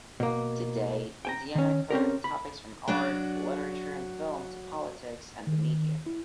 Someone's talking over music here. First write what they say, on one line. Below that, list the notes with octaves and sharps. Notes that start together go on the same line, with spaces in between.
Today, Indiana covering topics from art, literature and film to politics and the media.
B2 A#3
G5 G#5 A#5
D#3 C#4
C4 C#4 G4 A#4
B5
F#3 D4 F#4 D5
D#3
E4